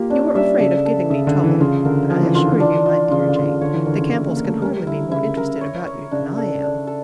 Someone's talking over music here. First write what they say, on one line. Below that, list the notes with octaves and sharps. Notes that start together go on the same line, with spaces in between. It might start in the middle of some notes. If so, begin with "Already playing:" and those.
You are afraid of giving me trouble; but I assure you, my dear Jane, the Campbells can hardly be more interested about you than I am.
Already playing: A#3 F4 G4
C#4 D4
G3 E5
C#3 A4
A4
C#3 E5
D3
E5
E3
C#3 F4
D3 A#4
F3 A#4
E3
D3 F4
E3
D4
F4
C#3 F4
D3
F4
C#3
D3 C#5
E3
D3 A#4
C#3
D3 E4
A#3
A#4
A3
G3 A#4
D3 E4
C#3 E4
C#3 A#4
C#5
C#5
C#3 D4
A4
D4
A4